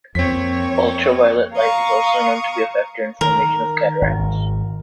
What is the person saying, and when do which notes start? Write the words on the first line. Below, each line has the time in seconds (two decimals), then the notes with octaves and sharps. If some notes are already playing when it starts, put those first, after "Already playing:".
Ultraviolet light is also known to be a factor in formation of cataracts.
0.15 F2 A#3 C4 C#5 B6
1.53 F5 A#5 C#6 D#6
3.21 D#3 A#4
4.02 G#1